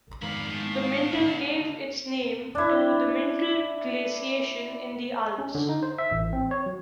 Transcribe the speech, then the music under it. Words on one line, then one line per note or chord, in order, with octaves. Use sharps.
The Mindel gave its name to the Mindel Glaciation in the Alps.
F2 G#2 D#3 B3 A#4 D5 F5 B5
A2 G#3
D4 F#4
D4 E4
C#4
D3
D#4
C5
E5
A1
C4
C#5
F#3